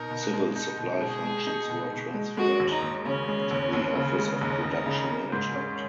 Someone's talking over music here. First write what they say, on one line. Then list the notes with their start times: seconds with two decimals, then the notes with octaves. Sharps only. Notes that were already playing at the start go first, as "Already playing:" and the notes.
Civil supply functions were transferred to the Office of Production Management.
Already playing: B2 D#4 A#4
0.10 B2
0.33 G#3
0.56 D#4
0.78 B2
1.01 B2 G#4
1.24 G#3
1.47 D#4
1.69 B2
1.92 B2
2.14 G#3
2.37 G#3 F#4
2.60 D#2
2.71 D#4
2.82 D#2
3.05 C#3 C#4
3.28 G#3
3.51 D#2
3.73 D#2
3.95 C#3
4.19 G#3
4.41 D#2 D#4
4.64 D#2
4.86 C#3
5.09 A#3
5.32 G#2
5.55 C#4